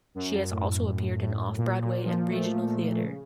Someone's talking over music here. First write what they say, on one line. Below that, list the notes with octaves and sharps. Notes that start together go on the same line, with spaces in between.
She has also appeared in off-Broadway and regional theater.
F#2
A2
F#2
A2
A#2
A#2
F3
A3
F3
C#3